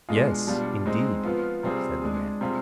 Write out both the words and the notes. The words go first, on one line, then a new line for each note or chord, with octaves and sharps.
"Yes, indeed," said the man.
B2 G#3 D4 F4 G#4
B2 G3 D4 F4
G#3 C4 D#4
F3 B3 F4
C3 G3 C4 F4 G#4
G#3 D4 G#4
C3 G3 C4 F4 G#4